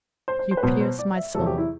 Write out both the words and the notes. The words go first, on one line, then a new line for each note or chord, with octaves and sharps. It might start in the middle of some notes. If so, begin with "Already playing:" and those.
You pierce my soul.
C5
C5
C5
B4
B2 F#3 B3 C5
C5
D5
E5
E2 C3 F#3 A4
G4
E4